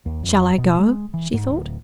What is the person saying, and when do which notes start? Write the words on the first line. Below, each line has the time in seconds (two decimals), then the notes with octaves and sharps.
"Shall I go?" she thought.
0.06 D#2
0.23 F2
0.58 B2
0.79 G#3
1.14 E3
1.33 G#2
1.50 D1